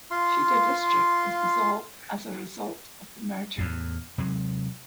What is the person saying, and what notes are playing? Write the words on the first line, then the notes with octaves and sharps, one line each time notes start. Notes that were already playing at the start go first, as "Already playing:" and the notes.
Shida District was dissolved as a result of the merger.
F4 F5 C6
E2 A2
C3 F#3 G#3